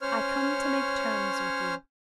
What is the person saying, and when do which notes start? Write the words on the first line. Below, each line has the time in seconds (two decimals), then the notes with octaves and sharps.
I come to make terms with you.
0.02 C#4 C5 C#5 F6